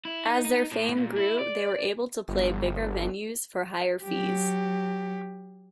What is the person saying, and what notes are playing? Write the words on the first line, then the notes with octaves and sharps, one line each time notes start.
As their fame grew they were able to play bigger venues for higher fees.
E4
D#4
D#4
A2
A#2
E4
D5
G1
F#3 G4